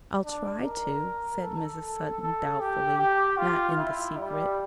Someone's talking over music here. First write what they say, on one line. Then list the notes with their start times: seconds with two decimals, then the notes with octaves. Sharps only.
'I'll try to,' said Mrs. Sutton doubtfully--not in the secret.
0.25 D4
0.64 A#4
1.42 A4
2.21 A4
2.60 G4
2.99 G4
3.38 F4
3.77 E4
4.17 G3